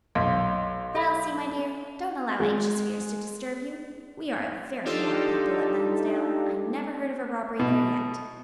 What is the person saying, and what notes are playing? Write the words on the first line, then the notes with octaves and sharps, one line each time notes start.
"But, Elsie, my dear, don't allow anxious fears to disturb you; we are a very moral people at Lansdale; I never heard of a robbery there yet."
B1 F5 C6
A4 E5 B5
G#3
D4 D#4 F4 G4 A4
B2